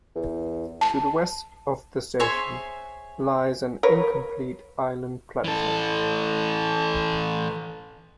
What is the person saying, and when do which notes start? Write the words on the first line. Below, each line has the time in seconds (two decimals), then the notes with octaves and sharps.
To the west of the station, lies an incomplete island platform.
0.15 E2
0.81 A5
2.20 G#4 C5 C#5 E5
3.83 A#4 B4 C#5
5.44 E3 A4